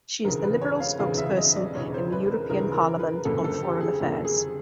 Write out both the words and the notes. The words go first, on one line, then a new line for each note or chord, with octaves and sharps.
She is the liberal spokesperson in the European Parliament on Foreign Affairs.
E1 D2 C#3 E3 A#4
B4
C#5
F5
E1 D2 C#3 E3 F5
E5
D#5
D5
E1 D2 C#3 E3 C#5
C5
B4
A#4
E1 D2 C#3 E3 A#4
A#4
B4
F#1 F2 D3 F3 A#3 A4
A4
G4
G#4
F#1 F2 D3 F3 A#3
G#4